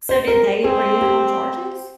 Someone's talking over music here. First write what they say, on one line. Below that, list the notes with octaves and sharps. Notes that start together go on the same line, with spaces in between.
So, did they bring it up on charges?
C5
A#4
C4 G#4
G4